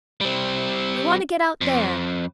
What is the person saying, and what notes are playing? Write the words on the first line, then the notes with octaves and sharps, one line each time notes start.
We want to get out there.
G3 C4
F2